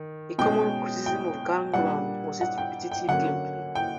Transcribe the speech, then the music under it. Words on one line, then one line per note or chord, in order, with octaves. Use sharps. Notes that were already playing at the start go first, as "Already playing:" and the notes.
A common criticism of Gangland was its repetitive gameplay.
Already playing: D#3
B2 G#3 C#4 G5
G5
A#2 G3 A#3 D4 F#5
F#5
G5
G5
D3 F#3 A#3 C#4 F#5
G5